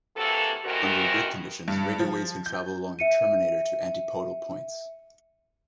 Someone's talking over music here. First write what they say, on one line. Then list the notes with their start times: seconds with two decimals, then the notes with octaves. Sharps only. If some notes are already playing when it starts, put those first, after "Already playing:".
Under good conditions, radio waves can travel along the terminator to antipodal points.
0.16 C3 E3 A#3 F#4 A4
0.64 F2 C3 D#3 E3 F#4 A#4
1.68 G2
1.99 F3
2.46 G6
2.99 E5 C#7 D#7